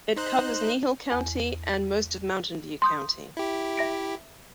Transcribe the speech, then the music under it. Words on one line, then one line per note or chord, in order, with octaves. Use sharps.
It covers Kneehill County and most of Mountain View County.
D#4 C5 F#6
E2
C6 D#6 G6
E4 G4
E5 A#6 D7